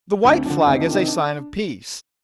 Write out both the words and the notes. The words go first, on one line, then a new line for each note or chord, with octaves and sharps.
The white flag is a sign of peace.
D2 D4
C4
D3 F3 D4
D2 C4 D#4
D4 F4
C3 D#3
C4 D#4
D4